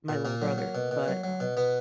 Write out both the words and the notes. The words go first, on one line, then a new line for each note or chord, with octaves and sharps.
my little brother- but, um,
A#2
A#2 A#3
F#3
F#3
B2
B2
F#3
F#3
B2
B2 B3